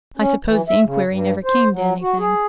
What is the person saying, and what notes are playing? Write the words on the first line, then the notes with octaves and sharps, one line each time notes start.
I suppose the inquiry never came to anything.'
C#4
E3
E5
C#3
G2
C5
F#3
F#4
G#4